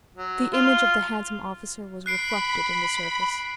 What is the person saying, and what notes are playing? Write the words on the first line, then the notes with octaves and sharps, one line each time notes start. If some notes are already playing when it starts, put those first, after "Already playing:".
The image of the handsome officer was reflected in the surface.
F#3
F4
B5 F#6 C7 D7